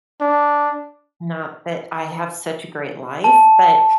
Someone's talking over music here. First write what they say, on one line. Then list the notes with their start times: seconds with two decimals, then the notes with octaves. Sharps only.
not that I have such a great life, but
0.21 D4
3.24 A5